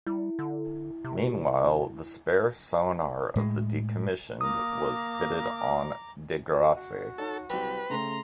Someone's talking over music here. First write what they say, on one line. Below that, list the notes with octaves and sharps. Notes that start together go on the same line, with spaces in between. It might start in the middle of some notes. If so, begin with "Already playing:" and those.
Meanwhile, the spare sonar of the decommissioned was fitted on "De Grasse".
G3 E4
D3
C3
A2 G#3
A#3 A#5 D6 D#6
F#4
D#4 A4 C#5 A5
C2 F#3 G3 C4 B4
C#3 A3 A#5 C6